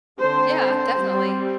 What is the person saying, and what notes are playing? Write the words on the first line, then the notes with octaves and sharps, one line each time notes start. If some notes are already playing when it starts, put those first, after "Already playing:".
Yeah, definitely.
D3 C4 C5
C5
G3 C4